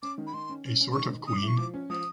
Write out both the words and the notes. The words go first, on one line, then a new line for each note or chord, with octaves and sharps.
A sort of queen.
C#4 D6
D#3
B5
D#3 C6
C#4
C#4
C#4
C6
D#3 C#6
D#3
C#4 D#6
D6
E4 C#6
F3 D6
C#4
F3 D#6